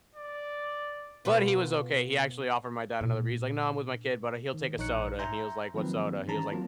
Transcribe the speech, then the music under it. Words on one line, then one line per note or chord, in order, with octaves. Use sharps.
But he was okay; he actually offered my dad another bee He's like, "No, I'm with my kid, but he'll take a soda," and he was like, "What soda?" He was like
D5
B2 F4 B4
A#2 D4
D#3
A#1 D#4 C#5 F#6 C#7
E5 G#5 A#5 C6 G6
D#3 F3 F#3 A#3 C4 B4
D#3 E3 C#4 A5 A#5
F#3 A#3 C4 F4